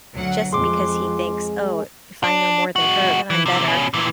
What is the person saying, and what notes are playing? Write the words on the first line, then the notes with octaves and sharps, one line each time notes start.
just because he thinks, "Oh, if I know more than her, then I'm better,"
D2 F#3 F#5
F2 G#3 G#4 C6 D6
D4
G#3 F#4
E3
C3 E3
B2 C#4
A#2 E3